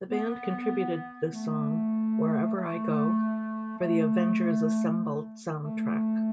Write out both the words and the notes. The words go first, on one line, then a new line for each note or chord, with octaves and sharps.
The band contributed the song, "Wherever I Go," for the "Avengers Assemble" soundtrack.
B3
A3
A3
A3
A3